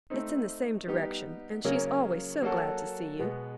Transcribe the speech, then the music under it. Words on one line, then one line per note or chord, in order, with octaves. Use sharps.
It's in the same direction, and she's always so glad to see you.
A3 C4 D#4
G3 B3 D#4 G4
C#3 F#3 A#3 C#4
F#3 A#3 C#4 F#4 A4
B2 G#3 B3